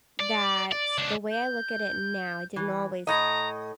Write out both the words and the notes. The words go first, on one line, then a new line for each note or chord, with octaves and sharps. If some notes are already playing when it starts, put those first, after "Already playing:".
that the way I look at it now, I didn't always
D5
D5
C#2 D4
G6
E3
A2 D#5 A#5